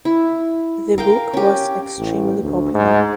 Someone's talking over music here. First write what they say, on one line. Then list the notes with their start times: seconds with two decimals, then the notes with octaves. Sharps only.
The book was extremely popular.
0.05 E4
0.98 A#4 F5 G5
1.33 C#4 G4
1.99 A1
2.43 D2
2.74 G#2